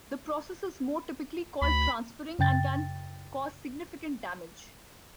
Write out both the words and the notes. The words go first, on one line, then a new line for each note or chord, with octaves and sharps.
The process is more typically called transferring and can cause significant damage.
D2 B5
F#2 C#3 G5 A6